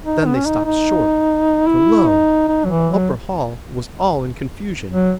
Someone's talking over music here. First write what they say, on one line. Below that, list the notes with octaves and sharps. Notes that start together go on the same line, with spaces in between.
Then they stopped short, for lo! the upper hall was all in confusion.
D#4
B3
C#4
D#4
D#4
E4
D#4
D#4
F#3
E3
F#3
F#3